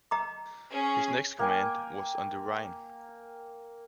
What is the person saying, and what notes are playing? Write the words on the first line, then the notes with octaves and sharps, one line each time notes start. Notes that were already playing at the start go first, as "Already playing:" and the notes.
His next command was on the Rhine.
D#5 A#5 D6
C#4 G#4
A#3 G5 G#5